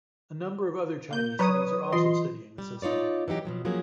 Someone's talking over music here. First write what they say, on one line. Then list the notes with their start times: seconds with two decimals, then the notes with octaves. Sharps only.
A number of other Chinese cities are also studying the system.
1.11 A#3 G6
1.39 F#3 B4 C#5 A#5 D#6
1.92 E3 F4 D#5 C6
2.58 G3
2.82 D#4 F4 C#5 D5
3.28 E3 F#3 D#4 G4
3.45 B2 F3 F#3
3.65 F3 F#3 A#3 C#4 G#4